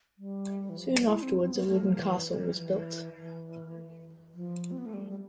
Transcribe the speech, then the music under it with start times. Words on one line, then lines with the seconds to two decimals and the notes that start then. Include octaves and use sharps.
Soon afterwards a wooden castle was built.
0.18 G3
0.69 E3
0.78 F3
0.93 G3
1.07 E4
1.22 C4
1.41 C4
1.52 B3
1.67 A3
1.82 F3
1.96 E3
2.30 G3
2.43 F3
2.56 E3
3.16 E3
4.34 F3
4.71 C4
4.78 B3
4.86 A3
4.94 G3
5.09 G3